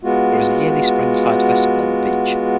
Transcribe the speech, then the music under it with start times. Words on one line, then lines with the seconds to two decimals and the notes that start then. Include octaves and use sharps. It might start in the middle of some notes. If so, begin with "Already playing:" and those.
There is a yearly Spring Tide Festival on the beach.
0.03 G#3 B3 F4 F#4